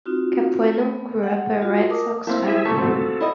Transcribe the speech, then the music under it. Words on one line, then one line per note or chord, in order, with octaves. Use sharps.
Capuano grew up a Red Sox fan.
C4 D#4 F4 F#4
A3 B3
F#5
F4 F#4
A#4 D#5 A5 D6 D#6
A3 A#3 C4 E4
E4 G#4 E5
A3 A#3 F4 A4 A5 C#6 B6
C4 F#4
E4 D#5